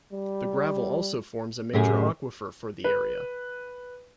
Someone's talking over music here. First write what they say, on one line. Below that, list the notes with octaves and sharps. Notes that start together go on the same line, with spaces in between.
The gravel also forms a major aquifer for the area.
G3
F#2 A2 G4 G#4
B4